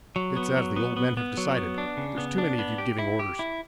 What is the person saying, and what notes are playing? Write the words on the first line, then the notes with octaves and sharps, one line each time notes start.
"It's as the old men have decided--there's too many of you giving orders."
F#3
B3
F#3
B3
B3
B3
F#3
B3
D4
C#3
B3
D4
B3
G4
E4
G4
E4